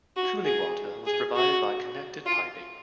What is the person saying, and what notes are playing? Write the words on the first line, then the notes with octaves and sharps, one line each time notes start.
Cooling water was provided by connected piping.
F#4
G#4
G#4
F#4
F4